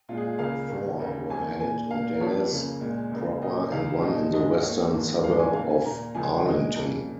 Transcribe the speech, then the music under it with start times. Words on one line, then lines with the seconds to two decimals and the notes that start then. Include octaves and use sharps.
Four were held in Dallas proper and one in the western suburb of Arlington.
0.09 A#2 G#3 F4
0.17 G#4
0.27 F4
0.38 C#2 C#3 A#3 F5
0.69 G#2 D#3 A#3
0.99 D#2 C#3 A#3
1.30 F2 D#3 A#3 G#5
1.60 A#2 A#3 G#5
1.91 A#2 A#3 F5
2.15 A#4
2.20 F2 F3 A#3 C#5
2.51 C#2 C#3 A#3
2.81 A#2 G#3
3.12 C#2 C#3 A#3
3.42 A#2 A#3 D#5
3.72 C#2 C#3 A#3 F5
4.03 A#2 F3 A#3 D#5
4.33 G#2 G#3 D#5
4.63 D#2 D#3 A#3 C#5
4.94 G#2 D#3 A#3
5.24 G#2 F3 G#3 F5
5.39 G#5
5.54 D#2 C#3 A#3 F5
5.70 G#5
5.84 A#2 A#3 A#5
6.15 C#2 C#3 F3 G#3 G#5
6.46 A#2 G#3 D#5
6.76 F2 C#3 A#3